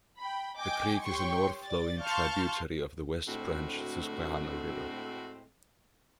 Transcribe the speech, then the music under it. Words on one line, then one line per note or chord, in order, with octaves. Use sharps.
The creek is a north-flowing tributary of the West Branch Susquehanna River.
G5 B5
D#5 G5 G#5 D6 G6
G4 C#5 G5 C6 C#6
D5 A6
F5 A5 C6 C#6 F6 G6
D2 A2 G#3 C4 F#4